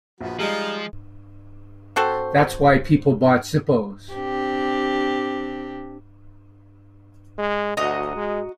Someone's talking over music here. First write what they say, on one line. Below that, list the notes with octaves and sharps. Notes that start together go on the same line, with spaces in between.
That's why people bought Zippos.
A#1 F3 B3 F#4
F3 G3 G#3 D#4 F5
C4 F#4 A4 C5
C4 D4 G4
G#3
D2 F#4 D#5 A#5
G#3